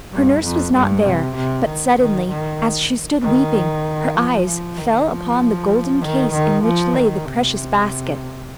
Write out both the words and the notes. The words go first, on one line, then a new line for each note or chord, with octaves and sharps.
Her nurse was not there, but suddenly, as she stood weeping, her eyes fell upon the golden case in which lay the precious basket.
G2
F2
G2
C3
C3
D#3
D#3
D#3
D#3
F3
F3
D#3
F3
D#3
D#3
F3
D#3
C3